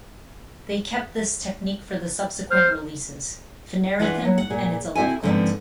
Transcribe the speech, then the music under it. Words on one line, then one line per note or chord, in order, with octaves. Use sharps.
They kept this technique for the subsequent releases, Phanerothyme and It's A Love Cult.
C5 F6
E3 D4 F4 E5 F#5
F#3
F#5
A#2 G#4
C4 E4 F#4 A4 E5 G#5
G#2 D3 F3 G3 B3 C4